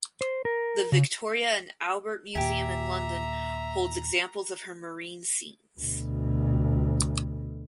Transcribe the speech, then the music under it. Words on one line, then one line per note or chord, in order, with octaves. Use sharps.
The Victoria and Albert Museum in London holds examples of her marine scenes.
C5
A#4
C#3
D#2 A#2 G4 E5 G#5 A#5
D2 B2